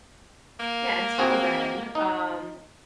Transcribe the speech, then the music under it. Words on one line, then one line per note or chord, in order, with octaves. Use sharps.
Yeah, until then, um
A#3
C4 F#4 G#4
D#4